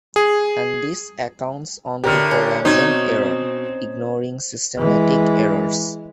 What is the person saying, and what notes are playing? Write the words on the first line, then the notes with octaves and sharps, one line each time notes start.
And this accounts only for random error, ignoring systematic errors.
G#4
A2 D3 G4 A#4 F6
C#4
B2 C4 D#4 G#6
E3 G#3